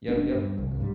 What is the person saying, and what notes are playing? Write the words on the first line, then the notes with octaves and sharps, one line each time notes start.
Yep, yep. Have a good one.
E1 B3 C#4 D4
G2
C2
G#2 G3